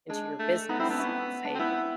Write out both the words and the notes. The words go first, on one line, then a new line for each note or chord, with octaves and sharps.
into your business. You could say,
G#3 D4
A3
B3 D#4
C4 E4
B3 D4
C#4
D4
C4
B3 E4